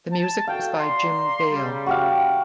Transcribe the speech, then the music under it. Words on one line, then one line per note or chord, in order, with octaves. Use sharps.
The music was by Jim Dale.
A5
F#4 A4 F5 G5
D5 A#5 C6
C#3 G3
F#4 G4 F5